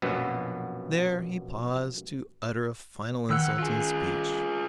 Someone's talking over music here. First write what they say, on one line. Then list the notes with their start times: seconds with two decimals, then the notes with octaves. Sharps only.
There he paused to utter a final insulting speech.
0.02 A#1 F#2 B2 B3
3.30 F2 D#3 F#5 E6 F#6
3.59 F4 G#4